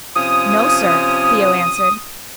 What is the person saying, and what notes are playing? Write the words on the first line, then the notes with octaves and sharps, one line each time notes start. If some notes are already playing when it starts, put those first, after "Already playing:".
"No, sir," Theo answered.
C3 F3 C#4 D#6